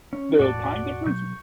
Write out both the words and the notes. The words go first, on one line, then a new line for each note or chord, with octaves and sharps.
The time difference?
C#4
E1 A2 F#4 D5 A5
B2 F#3 C#6 G6